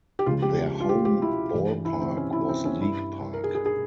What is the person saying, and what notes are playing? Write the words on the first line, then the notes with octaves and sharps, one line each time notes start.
Their home ballpark was League Park.
G4
C#2 C#3 F3 G#3 F4
G4
F4
G4
G4
E4
G2 E3 G3
E4
C4
C#4
E4
C4
C#4
G2 G3 E4
A#4
G#4
G#4
G#4